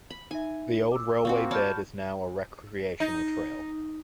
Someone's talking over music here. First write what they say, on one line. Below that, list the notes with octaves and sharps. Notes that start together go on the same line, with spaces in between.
The old railway bed is now a recreational trail.
B5
D#4 E5 G#5
D6 E6
A#3 C4 F#4 G#5 C#6
C#5 D5 A5 B5 F6 G6
D#4